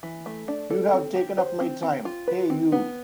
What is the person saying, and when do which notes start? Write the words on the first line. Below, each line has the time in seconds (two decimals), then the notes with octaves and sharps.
"You've taken up my time —." "Hey, you!"
0.03 E3
0.26 A3
0.48 D4
0.70 A4
0.93 C4
1.16 G4
1.38 C5
1.60 C4
1.83 C4
2.05 F4
2.27 B4
2.50 C4
2.72 B3